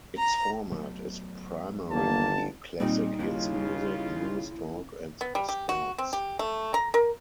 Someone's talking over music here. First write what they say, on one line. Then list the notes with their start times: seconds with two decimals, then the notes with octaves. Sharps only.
Its format is primarily classic hits music, news, talk and sports.
0.17 A#5
0.71 F#3 A3 B3
1.91 G1 A#3 A5
2.80 A#2 G3 C4 D#4
3.19 D#2 C#3 E4 F4
5.21 B3
5.35 G3
5.49 G4
5.69 F#4
5.98 C4
6.13 G4
6.39 A3
6.74 A#5
6.94 A#4